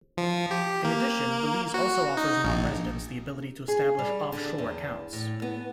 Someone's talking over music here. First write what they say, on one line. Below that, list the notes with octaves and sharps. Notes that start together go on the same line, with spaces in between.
In addition, Belize also offers nonresidents the ability to establish offshore accounts.
F3
G4
A#3
F#4
D#4
A#1
G#4
G3
D3
E2
A2
B3